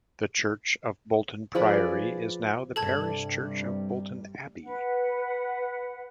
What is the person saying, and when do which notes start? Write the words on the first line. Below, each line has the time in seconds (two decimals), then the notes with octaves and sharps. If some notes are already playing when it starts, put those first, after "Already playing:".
The church of Bolton Priory is now the parish church of Bolton Abbey.
1.55 F3 G#4 B4 D5
2.76 G2 C3 G3 A4 A5 G#6
4.63 B4 F#5